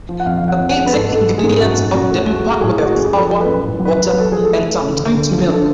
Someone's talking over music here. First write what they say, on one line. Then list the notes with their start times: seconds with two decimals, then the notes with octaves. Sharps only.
The basic ingredients of damper were flour, water, and sometimes milk.
0.09 F3
0.20 F#5
0.26 F2 F5
0.38 F5
0.43 F3 F#5
0.60 F2
0.71 F#5
0.77 G#3
0.86 B4
0.93 G#2 A4
1.10 G#2
1.16 A4
1.27 G#3
1.38 G#4
1.44 G#2
1.61 F#2 F#4
1.77 F#2
1.94 F#2 F#4
2.11 A3
2.28 G#3 F#4
2.45 G#3
2.52 F#4
2.62 A2 G#4
2.78 G#3
2.86 F#4
2.96 F#2 G#4
3.13 F3
3.18 A4
3.29 F3
3.41 B4
3.46 F#2
3.63 A2
3.79 F#3
3.85 B4
3.97 F#3
4.08 B4
4.13 F#3
4.20 A4
4.30 F3 G#4
4.45 A3 A4
4.64 A3
4.81 C#3
4.97 D2
5.14 D2
5.32 F3
5.48 D3
5.54 A4